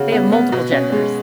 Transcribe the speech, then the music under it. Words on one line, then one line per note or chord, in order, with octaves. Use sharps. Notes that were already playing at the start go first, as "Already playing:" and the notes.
They have multiple genders.
Already playing: C#3 F#4
B3
B3
B2
C#4
G#3